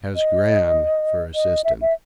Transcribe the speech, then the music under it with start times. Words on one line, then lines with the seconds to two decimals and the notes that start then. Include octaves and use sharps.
He has Gran for assistant.
0.16 D#5
1.35 D#5
1.64 E5
1.82 E5